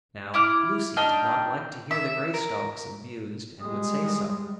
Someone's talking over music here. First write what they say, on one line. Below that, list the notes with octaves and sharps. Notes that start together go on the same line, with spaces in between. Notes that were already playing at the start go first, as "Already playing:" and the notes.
Now Lucy did not like to hear the Greystocks abused, and would say so.
E4 D6 F6
D4 D#4 G5 F6
E5
A#4
G3 G#3 D#6